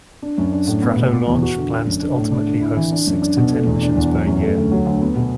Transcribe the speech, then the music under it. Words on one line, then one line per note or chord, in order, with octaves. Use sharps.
Stratolaunch plans to ultimately host six to ten missions per year.
D4
F#2
D4
A2
B3
B2
B3
E2
F#4
D3
D4
F#2
D4
A2
D4
D3
E4
E3
D4
F#2
D4
B2
A3
E2
D4
E2
F#3
F#2
A3
D2
F#3
D2
B3
B2